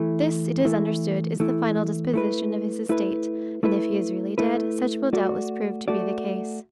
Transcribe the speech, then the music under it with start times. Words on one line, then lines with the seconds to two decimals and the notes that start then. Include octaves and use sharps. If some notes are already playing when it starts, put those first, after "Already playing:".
This, it is understood, is the final disposition of his estate; and if he is really dead, such will doubtless prove to be the case.
Already playing: E3 A3 E4
0.65 E3 A3 E4
1.40 E3 A3 E4
2.14 A3 E4 B4
2.89 A3 E4 B4
3.63 A3 E4 B4
4.38 A3 E4 B4
5.13 A3 F#4 D5
5.88 A3 F#4 D5